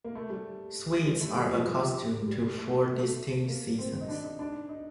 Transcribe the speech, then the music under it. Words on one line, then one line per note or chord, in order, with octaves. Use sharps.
Swedes are accustomed to four distinct seasons.
A#3
A3
G3
G3
A3
G3
F3
G3
G3
A3
A3
A#3
C4
D#4
D4
D#4
D4
D#4